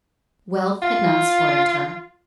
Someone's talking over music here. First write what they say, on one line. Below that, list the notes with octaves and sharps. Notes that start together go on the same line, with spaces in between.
Wealth had not spoiled her.
F4